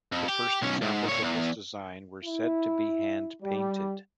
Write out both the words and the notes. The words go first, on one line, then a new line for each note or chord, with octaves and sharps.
The first examples of this design were said to be hand-painted.
F2
G4
B1 C#4
G#2
A#2 C#5
E2
E4
G3